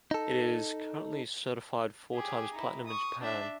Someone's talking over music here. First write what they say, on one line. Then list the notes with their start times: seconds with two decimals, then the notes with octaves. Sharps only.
It is currently certified four times platinum in Japan.
0.11 D#4 A4
2.14 G4 G#4
2.53 D#4 E4
2.86 C#6 D#6
3.21 D4 E5